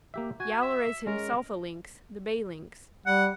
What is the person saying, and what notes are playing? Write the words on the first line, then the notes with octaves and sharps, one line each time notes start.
Yowler is himself a Lynx, the Bay Lynx.
A#3 G4 E5
F#4 G#5
E5
G#3 C#4 A#4
G3 F#5